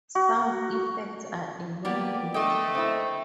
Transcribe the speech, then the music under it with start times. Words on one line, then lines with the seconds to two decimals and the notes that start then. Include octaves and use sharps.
Sound effects are enabled.
0.15 F#4
1.85 A#3 B3 G4 D5
2.34 D3 A3 D#5 G5 C6
2.75 C4 E4